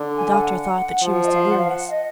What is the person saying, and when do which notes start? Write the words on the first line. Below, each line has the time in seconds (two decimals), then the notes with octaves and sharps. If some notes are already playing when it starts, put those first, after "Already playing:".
The doctor thought that she was delirious.
Already playing: D3
0.15 G#5
0.32 F5
0.36 F#5
1.02 F3
1.24 D#5
1.31 F5
1.46 F#5
1.57 F5
1.69 F#5
1.89 D#5